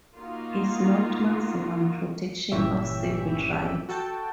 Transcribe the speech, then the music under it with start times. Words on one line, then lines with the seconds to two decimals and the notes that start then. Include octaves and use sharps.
It’s not maximum protection of civil rights.
0.16 A#3 D#4 F4 F#4
2.52 G1 A#2 E3 C#4 G4 E5
3.89 F#4 A4 G5 A5